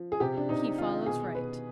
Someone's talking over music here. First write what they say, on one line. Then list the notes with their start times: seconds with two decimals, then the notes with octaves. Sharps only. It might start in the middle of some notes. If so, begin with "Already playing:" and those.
He follows right.
Already playing: F3
0.12 G#4
0.20 C3 G4
0.37 D4
0.49 C3 D#4
0.78 D#3 F4
1.06 B2 G#4
1.35 B2 B4